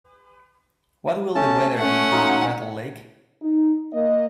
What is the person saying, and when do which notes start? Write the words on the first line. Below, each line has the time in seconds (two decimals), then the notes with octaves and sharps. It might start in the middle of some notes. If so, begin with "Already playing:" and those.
What will the weather be in Battle Lake?
1.35 A3 C#4 A5
1.79 A3 C#4 F#5 A5
2.11 F#3 D#4 F4
3.42 D#4
3.93 A#3 D#5